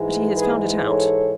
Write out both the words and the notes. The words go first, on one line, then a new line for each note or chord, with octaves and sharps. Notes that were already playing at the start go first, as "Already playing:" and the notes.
But he has found it out.
Already playing: G#2 E3 G#3
G#4 B4
A4 C#5